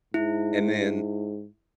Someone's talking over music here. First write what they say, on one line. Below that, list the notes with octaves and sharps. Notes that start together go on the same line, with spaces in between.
and then,
G#2 E4